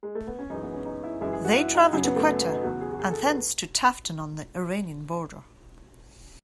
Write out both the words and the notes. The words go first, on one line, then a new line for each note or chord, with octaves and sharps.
They travel to Quetta, and thence to Taftan on the Iranian border.
G#3
A3
B3
C#4
F#2 E3 G#3 D#4
B3
C#4
D#4
E4
F#2 E3 G#3 E4
G#4
F#4
E4
D#4
F#2 C#3 F#3
B3
A3
B3
B3
D#4
E2 C#3 F#3 F#4
G#4
F#4
G#4
A4
B4